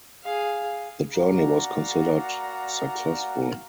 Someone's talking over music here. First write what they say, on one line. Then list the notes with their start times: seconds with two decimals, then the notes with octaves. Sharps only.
The journey was considered successful.
0.23 G#4 F5
1.14 A#3 F#4 D5 F5 F#5 A#5